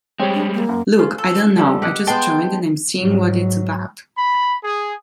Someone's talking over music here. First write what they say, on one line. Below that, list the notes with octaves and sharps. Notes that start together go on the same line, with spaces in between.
Look, I don't know, I just joined and I'm seeing what it's about.
G3 G#3 C4 G4 C#5
D4
A#3
F#2
C#4 F4
A4
F3 G3 B3
G4 D#5 F#5
G#3 B3 G5 A5 C6
G#2 F#3
B5
G#4